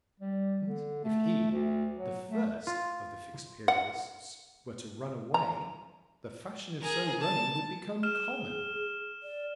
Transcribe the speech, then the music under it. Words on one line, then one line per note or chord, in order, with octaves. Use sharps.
And if he, the first of the Fixed-Periodists, were to run away, the fashion of so running would become common.
G3
D3
A3
D2
F#3
A3
F4
F#5
A#5
G#4 A#4
A5
G#4 F6 E7
D5